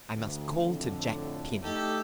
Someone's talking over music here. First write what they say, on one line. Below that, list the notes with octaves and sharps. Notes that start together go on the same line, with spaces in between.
"I must call to Jack Penny."
D2
F2 A2 D3
A3 D#4 G4 A4